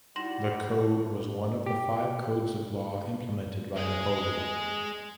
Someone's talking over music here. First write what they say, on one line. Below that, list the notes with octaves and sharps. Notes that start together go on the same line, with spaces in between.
The code was one of the five codes of law implemented by Napoleon.
G3 D#4 E4 F#4 F#5 C6 A#6 E7
G4
G#3 G#4